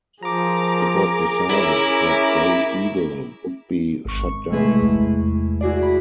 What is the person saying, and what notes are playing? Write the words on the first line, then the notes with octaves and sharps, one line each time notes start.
It was decided that Gold Eagle would be shut down.
F3 G#4 A#4 A#5 D6
C#4 E4 E5
G#1 C#6
C3 G#3 A3 E4 G#4 B4
E2
E4 F#4 G#4 D5
B5